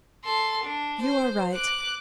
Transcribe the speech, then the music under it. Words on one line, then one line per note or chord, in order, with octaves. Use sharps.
'You are right.
A4 C6
D4
C5
D6 F#6